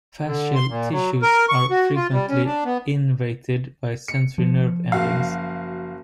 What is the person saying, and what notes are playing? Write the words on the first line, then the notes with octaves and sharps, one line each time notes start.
Fascial tissues are frequently innervated by sensory nerve endings.
D3
C6
A#2
F#3
A#4
C#6
F#4
F4
G3
C#4
D4
B3
C#7
F3
F#1 F#4 F5